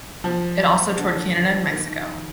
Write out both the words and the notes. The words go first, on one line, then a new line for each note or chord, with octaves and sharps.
It also toured Canada and Mexico.
F3
D3
D#3